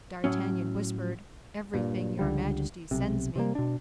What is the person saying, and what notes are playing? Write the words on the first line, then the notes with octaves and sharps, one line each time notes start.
D'Artagnan whispered: "Everything your majesty sends me."
A2 F#3 C#4
G2 A#2
C#2 D3 G3
B1 C3
C3 G3 A#3
B2 D4